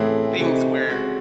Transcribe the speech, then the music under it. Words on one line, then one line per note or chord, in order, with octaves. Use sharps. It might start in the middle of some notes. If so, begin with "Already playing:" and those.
things where
Already playing: A2 C#3 E3 C4 E4 G#4
C3 E3 A3 D#4
C#3 G#3 C4 F#4